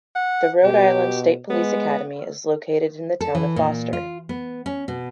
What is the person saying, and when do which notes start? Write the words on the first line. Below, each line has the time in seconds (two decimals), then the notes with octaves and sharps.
The Rhode Island State Police Academy is located in the town of Foster.
0.15 F#5
0.64 B2 G4
1.50 G#3 B3
3.21 A4
3.35 E3
3.56 A#2
3.93 F4
4.29 B3
4.66 C#4
4.88 B2